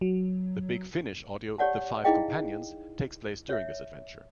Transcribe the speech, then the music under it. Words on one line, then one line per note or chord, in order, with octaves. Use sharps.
The Big Finish audio "The Five Companions" takes place during this adventure.
F#3
G4 C#5 D5 F#5 A5
D#4 E4 G#4 D#5 F5 G5
C#5 E5